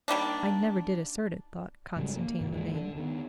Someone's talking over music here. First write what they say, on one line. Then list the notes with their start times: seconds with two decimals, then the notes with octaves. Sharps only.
"I never did assert it," thought Konstantin Levin.
0.08 D#3 G3 A#3 D4
1.96 G#2 C#3 F#3 G3
2.16 A#3
2.41 G#2 C#3
2.52 D#2 G#2 F3 G#3
2.74 D3
2.96 D#3 B3